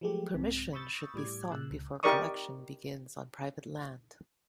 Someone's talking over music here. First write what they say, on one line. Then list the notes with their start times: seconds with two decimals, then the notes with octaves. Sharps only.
Permission should be sought before collection begins on private land.
0.01 F3 F#3 G#3 A3 G4
0.34 C2 G#2 C3
0.73 B5 C#6 D#6 E6 G6 A6
1.14 A2 G3 D6 G#6
1.50 A#2 C#3 E6 F#6
1.70 C#2
2.03 D#4 G4 A#4 D5 C#6 D#6